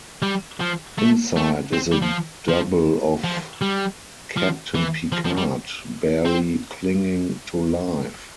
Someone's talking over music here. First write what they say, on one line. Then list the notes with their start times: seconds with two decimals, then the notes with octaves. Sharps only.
Inside is a double of Captain Picard, barely clinging to life.
0.22 G3
0.60 F3
0.98 A3
1.36 A3
1.73 C4
1.92 G3
2.02 F3
2.49 F3
3.24 F3
3.62 G3
4.37 F3
4.75 E3
5.12 F3
5.25 F3
5.38 G3
6.26 C4